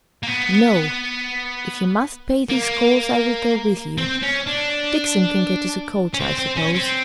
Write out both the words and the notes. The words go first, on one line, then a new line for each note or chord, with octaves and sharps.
No; if you must pay these calls, I will go with you. Dixon can get us a coach, I suppose?'
A#3
B3
A#3
C4
C#4
D4
C#4
C4
C4
C#4
C4